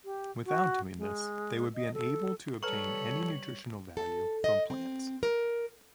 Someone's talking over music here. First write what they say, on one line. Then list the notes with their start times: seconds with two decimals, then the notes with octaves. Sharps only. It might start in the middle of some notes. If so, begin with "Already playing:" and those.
Without doing this they would be unable to obtain any nutritional value from plants.
0.05 G4
0.46 F#4
0.98 G#3
1.75 D#5
1.94 A4
2.63 G3 A4 B4 C#5 A#5 C#6 F#7
3.97 A4
4.44 D#5
4.70 C4
5.23 A#4